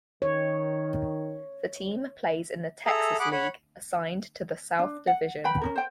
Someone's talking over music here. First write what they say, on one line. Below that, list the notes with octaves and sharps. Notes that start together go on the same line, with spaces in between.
The team plays in the Texas League, assigned to the South Division.
D#3 C#5
G#4 A4 E5 A#5
G#4 F#5 B5 D6 F#6
C#5 F#5 B5
D4
F#5
B4 G5 B5
C#4 D#4 A#4
C5 G5